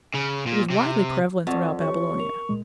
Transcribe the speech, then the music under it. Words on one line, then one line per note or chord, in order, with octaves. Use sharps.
It was widely prevalent throughout Babylonia.
C#3
A#2
C3
F2 D5 F#5 C#6
G4 B4 C#5 C#6
A#4 F7
C#2 A#2 G#3